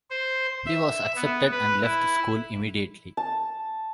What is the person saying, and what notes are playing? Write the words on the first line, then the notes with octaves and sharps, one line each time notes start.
He was accepted and left school immediately.
C5
E5
B3
B4
E4
A5